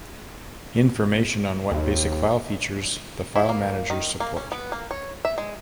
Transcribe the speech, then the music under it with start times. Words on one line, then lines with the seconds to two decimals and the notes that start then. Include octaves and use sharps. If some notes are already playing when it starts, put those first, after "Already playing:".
Information on what basic file features the file managers support.
1.71 D#2
3.36 E4
3.49 A#3
3.90 D#3
4.20 A#3
4.37 C#4
4.52 B3
4.72 A#3
4.91 C#5
5.25 E5
5.38 G#3